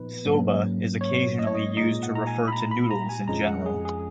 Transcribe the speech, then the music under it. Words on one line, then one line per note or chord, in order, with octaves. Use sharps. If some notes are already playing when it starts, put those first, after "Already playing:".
"Soba" is occasionally used to refer to noodles in general.
Already playing: A#2 F3 B3 D#4 B4
G#2 F#3 A#3 C#4
C#5
D#5
C#5
D#5
A#2 G#3 D#4 D#5
F#5
A#5
G#5
B5
A#5
B5
A#5
G#5
F2 F3 G#3 C#4 A#5
F#5
G#4
G#4